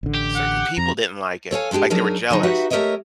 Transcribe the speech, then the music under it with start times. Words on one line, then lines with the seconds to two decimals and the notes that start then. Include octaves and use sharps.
Certain people didn't like it, like, they were jealous?
0.03 A1 D3
0.14 G4
0.35 F#5
0.78 F2 A#5
1.51 A4 C#5 F5 G#5
1.71 G3 G#3 D4 G4 G#4
1.90 F#3 D4 D#4 G#4 A#4
2.30 D3 F#3 D#4
2.43 D#4 F#4 G4 B4 E5 F#5
2.71 A3 G4 A#4 C#5 D#5 E5